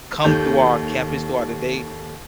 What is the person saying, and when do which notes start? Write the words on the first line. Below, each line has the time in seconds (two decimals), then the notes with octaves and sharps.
come through our campus throughout the day
0.24 D#2 D#3 G4 A4 G6